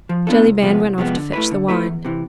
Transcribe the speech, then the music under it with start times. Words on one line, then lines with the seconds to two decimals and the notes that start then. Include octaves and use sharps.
Jellyband went off to fetch the wine.
0.09 F3
0.27 B3 D4 F4 A4
0.45 C2
0.62 C3 F3 G#3 B3
0.80 C2
0.98 C3 F3 G#3 B3
1.16 D3
1.33 A3 E4 B4
1.51 D3
1.68 A3 E4 B4
1.87 E2
2.05 C3 E3